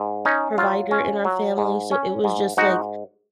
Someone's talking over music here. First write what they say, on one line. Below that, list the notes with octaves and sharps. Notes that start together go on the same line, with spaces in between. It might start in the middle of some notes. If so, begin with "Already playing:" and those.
provider in our family, so it was just, like,
Already playing: G#2
C#4 D#4
F#3 F4
C#4
F#3
G#2
C#4
G#2
G#2 D#4 F#4